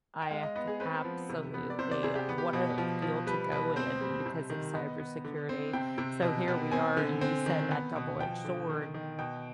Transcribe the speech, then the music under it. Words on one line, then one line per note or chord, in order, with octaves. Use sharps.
I, uh, c absolutely. What a field to go in because of cybersecurity. So here we are, and you said that double-edged sword,
G5
G#3 F5
D#5
B3 D#5
G#4
C4 B4
F3
C3
B3
D5
C3 C5
D5
C3 G#4
G4
B3
G4
B2
F3
F3
G3 B4
B2 B4
C4 C5
G3
C3
D#3
B3 D#5
B3
D3
C4
C3 G5
C3
B2
B3
C4 G#5
D3
C4
D#3
B3
B2
F3 G5
D3
D#3
D#3
B2 G5